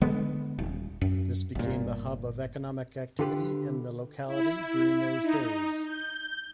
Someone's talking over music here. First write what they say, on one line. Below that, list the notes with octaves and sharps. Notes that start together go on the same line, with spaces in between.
This became the hub of economic activity in the locality during those days.
D3 G#3 B3
D#1
F#2
G1 A#2
D3 F4 G4 B4
E4
D#4
G6